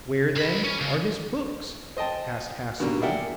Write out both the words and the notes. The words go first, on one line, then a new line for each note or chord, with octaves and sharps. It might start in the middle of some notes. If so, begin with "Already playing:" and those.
'Where, then, are his books?' asked Hassebu.
C2 B5
C#4
C#3
C5 D#5 G5 A5
B2 D3 D#3 G3 A#3
G#4 A#4 D5 E5 F#5 G5